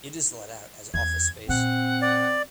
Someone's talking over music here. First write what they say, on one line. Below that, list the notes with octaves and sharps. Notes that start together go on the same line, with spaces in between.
It is let out as office space.
E2 G#6
A#2 C4 F#5
D5